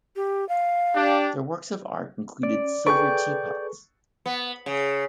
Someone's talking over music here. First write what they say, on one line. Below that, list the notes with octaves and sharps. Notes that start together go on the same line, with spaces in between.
Their works of art included silver teapots.
G4
F5
D4 G4
C#4 D5
G#4 A4 B4 D5 G5 C#6
B3
C#3